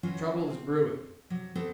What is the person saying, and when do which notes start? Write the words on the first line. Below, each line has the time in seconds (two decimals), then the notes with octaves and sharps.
Trouble is brewing.
0.03 E3 F#3 C#4 F4 F#4
0.50 C4
1.30 C3 F#3
1.55 B3 C4 G4 A4 C5